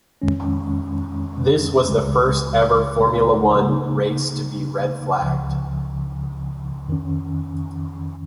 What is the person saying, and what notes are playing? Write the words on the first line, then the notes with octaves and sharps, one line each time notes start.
This was the first ever Formula One race to be red flagged.
F2 D#3 G#3 C#4
C#2 C#3 G#3
C#3 A#3 D#4
C#2 C#3 F3
F2 D#3 C#4